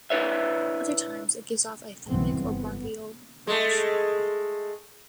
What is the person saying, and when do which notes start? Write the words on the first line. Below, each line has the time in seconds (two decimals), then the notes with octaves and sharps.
Other times, it gives off a thymic or bronchial branch.
0.10 D4 E4 B4 C#5 E5
2.08 B1 G2 C#3 E3 B3 C4
2.38 G1 B3
3.47 G#3 A3